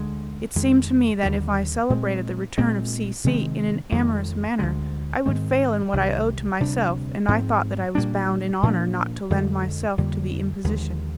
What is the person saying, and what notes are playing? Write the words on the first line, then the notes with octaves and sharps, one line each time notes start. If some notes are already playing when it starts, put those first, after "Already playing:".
It seemed to me that if I celebrated the return of C---- C---- in an amorous manner, I would fail in what I owed to myself, and I thought that I was bound in honour not to lend myself to the imposition.
Already playing: D2 D3 G#3
F2 D#3 G#3
D#2 D3 G3
A#2 G#3 C4
A#2 G#3 C4
C3 D#3 G#3 C4
F2 D#3 G#3
D2 D3 G#3
G#2 D#3 G#3 C4
C2 C3 D#3 G3
D2 C3 G3 D4
G#2 F3 C4
A#2 G3 A#3 D4
A#2 F3 A#3 D4
F2 D3 G#3
F2 D3 G3 A#3
D#2 D3 F3 G#3